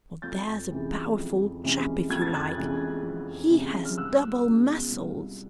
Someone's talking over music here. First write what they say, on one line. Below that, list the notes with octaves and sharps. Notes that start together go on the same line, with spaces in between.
"Now, there's a powerful chap if you like! he has double-muscles!"
F2 G6 A6
C3 E3 G#3 C#4
F2
C3 E3 G#3 C#4
F2 G#6
A6
F#6 G#6
C3 E3 G#3 C#4
F2
C3 E3 G#3 C#4
F6
C2 E6 F#6
B2 G#3 C#4 F4
C2